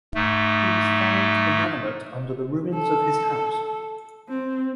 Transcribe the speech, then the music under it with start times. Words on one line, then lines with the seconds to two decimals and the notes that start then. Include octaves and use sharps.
He was found inanimate under the ruins of his house.
0.14 G#2 A3
2.74 A4
4.29 C4